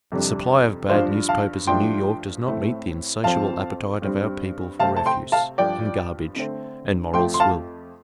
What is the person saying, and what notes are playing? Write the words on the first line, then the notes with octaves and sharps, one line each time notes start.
The supply of bad newspapers in New York does not meet the insatiable appetite of our people for refuse, and garbage, and moral swill.
F2 C3 G3 D4
G2 F3 D4 C5 F5
F5 A5
G2 F3 A3 D4 G5 C6
A2 A3 C4
F2 F3 C4 F5 A5
G2 G3 C4
C3 A3 C4 F5 A5
A5
G5 C6
F5 A5
G2 F3 D4 D5 G5
D3 A3 C4
F2 F3 A3 G5 C6
C6
F5 A5